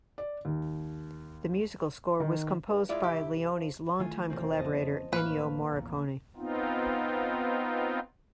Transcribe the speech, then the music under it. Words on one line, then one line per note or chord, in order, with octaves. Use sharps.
The musical score was composed by Leone's long-time collaborator, Ennio Morricone.
D5
D#2
D#3
G2
G#3 E4 F4 D5
C2 G4
F3
D#3 E3 A3 F4 G#5
E1 A#3 C4
F2 C#3 D#5 A5
A1 A#3 B4 C#5 F5
A#1 E2
B3 C4 D#4 F4